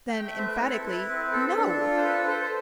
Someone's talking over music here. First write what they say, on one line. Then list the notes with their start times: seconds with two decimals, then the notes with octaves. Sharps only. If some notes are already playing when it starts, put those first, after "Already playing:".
Then, emphatically, "No!"
0.08 G5
0.14 A3
0.26 E5
0.38 C4 C5
0.44 B4
0.61 E4 A4
0.81 A4
0.85 E4 B4
1.09 C4 B4
1.32 A4
1.57 D4 A4
1.80 F4
1.97 C5
2.04 A4 B4
2.28 A4 C5
2.42 C5